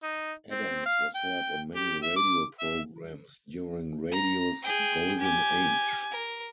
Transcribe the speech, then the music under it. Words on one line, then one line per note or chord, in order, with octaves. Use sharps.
Adams was heard on many radio programs during Radio's Golden Age.
D#4
C4
F5
G5
G4
E5
D6
E5
A#5
G#4 G5
G4 G#5
A#4